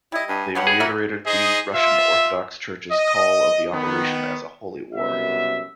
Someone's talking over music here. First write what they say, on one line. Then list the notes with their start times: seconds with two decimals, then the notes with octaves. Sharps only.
They reiterated the Russian Orthodox Church's call of the operation as a Holy War.
0.12 G3 E4 D#5
0.28 G2 G#5
0.55 G2 F#3 B3 G4 F#5
0.67 G#4
0.80 E3 A#4 E5
1.26 D#4 G#4 C5 D#5
1.74 F4 E5
2.91 D#5
3.73 D#3 B3
4.96 C2 F#2 B2 E5